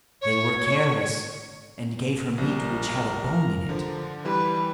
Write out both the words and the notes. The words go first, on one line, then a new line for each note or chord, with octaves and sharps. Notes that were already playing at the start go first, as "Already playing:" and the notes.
They were careless, and gave her meat which had a bone in it.
C#5
A#1 G3 A#4
D3 F3
E3 G3 B4